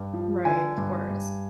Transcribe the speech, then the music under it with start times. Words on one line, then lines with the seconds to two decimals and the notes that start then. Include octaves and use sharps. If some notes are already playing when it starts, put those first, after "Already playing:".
Right, of course.
Already playing: G2
0.13 F3
0.45 D3 G#5
0.78 G2
1.10 G2